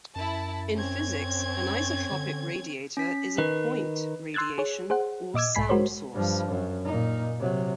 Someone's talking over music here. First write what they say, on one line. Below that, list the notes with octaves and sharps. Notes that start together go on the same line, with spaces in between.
In physics, an isotropic radiator is a point radiation or sound source.
F#2 E4 A5
C4 C#4 G#6
D3
C#4 B6
D#3 B4
C6 E6 F#6 G#6 A6
G#4 C#5
G#4 C5 F#5
A#2 D#5 D6 E6 G#6
B1 G#2 G#5 B5 B6 C7
G#3 F#4 A#4 C5 C#5
G2 F3
F#2
A#2 D#4
C3 F#3